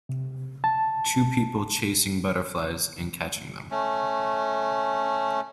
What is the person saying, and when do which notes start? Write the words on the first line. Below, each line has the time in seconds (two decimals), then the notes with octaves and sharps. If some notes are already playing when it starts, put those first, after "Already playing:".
Two people chasing butterflies and catching them.
0.09 C3
0.64 A5
3.71 A3 C#4